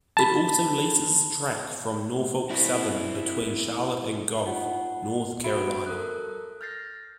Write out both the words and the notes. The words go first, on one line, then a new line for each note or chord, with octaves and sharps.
It also leases track from Norfolk Southern between Charlotte and Gulf, North Carolina.
A5 B5
C4 E4
D#4 F4 D#5 F#5
B3 F#4 E5 B5 C#7 D7
A4 A#4 D#6 F#6
F6 G6 A6 A#6 C7